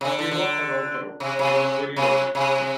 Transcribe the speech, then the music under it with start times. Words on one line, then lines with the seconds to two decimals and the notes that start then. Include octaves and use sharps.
He walked about the room — it was very lonely.
0.01 C3
0.05 D3
0.19 D3
0.31 D3
1.20 C3
1.39 C3
1.96 C3
2.35 C3